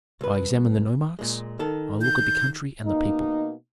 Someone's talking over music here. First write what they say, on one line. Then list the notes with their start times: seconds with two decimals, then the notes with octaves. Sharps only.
I examine the nomarchs, I look at the country and the people.
0.21 C2 B4
1.19 A#2 G#3
1.59 D#3 A4
2.02 G6
2.85 B2 A#3 D#4